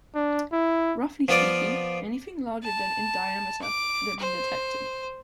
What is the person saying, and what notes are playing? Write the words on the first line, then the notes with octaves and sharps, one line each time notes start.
Roughly speaking, anything larger than in diameter should have been detected.
D4
E4
F3 B3 F4 D5
A5
D6
C5